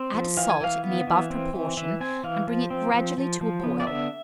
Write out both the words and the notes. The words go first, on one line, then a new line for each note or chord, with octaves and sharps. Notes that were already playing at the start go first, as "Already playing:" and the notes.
Add salt in the above proportion, and bring it gradually to a boil.
Already playing: C4
F3
E3 F5
G#5
E3 F5
B3
E3
C4
E3
E3 E5
C4 G#5
E3 F5
F3
C4
F3
F3
F3
B3
D5
D3 E5